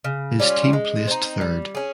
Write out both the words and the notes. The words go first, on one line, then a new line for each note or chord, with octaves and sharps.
His team placed third.
C#3
G3 C#4 F4
G#3
C4 D#4
G3
C#4 G#4